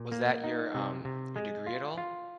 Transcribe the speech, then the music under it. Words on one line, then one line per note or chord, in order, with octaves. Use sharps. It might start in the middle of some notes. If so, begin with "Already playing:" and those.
was that your, um, your degree at all
Already playing: A#2
A#3
D#4
C3
C3
G#3
F4
F4